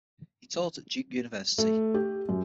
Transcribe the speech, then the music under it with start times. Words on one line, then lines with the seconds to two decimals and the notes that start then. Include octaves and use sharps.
He taught at Duke University.
1.58 A3
1.94 G4
2.29 F#2